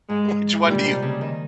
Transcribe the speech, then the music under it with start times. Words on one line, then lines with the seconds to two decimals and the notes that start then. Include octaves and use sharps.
Which one do you
0.09 G#2 G#3
0.65 A#2 G3
0.84 C3
1.02 C#3
1.21 D#3